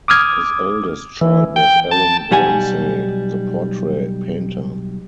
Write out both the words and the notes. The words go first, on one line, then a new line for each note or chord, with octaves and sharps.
His eldest child was Allan Ramsay, the portrait painter.
D6 D#6 F6 G#6
E3
G5
A5
B1 G3 F#5 G#5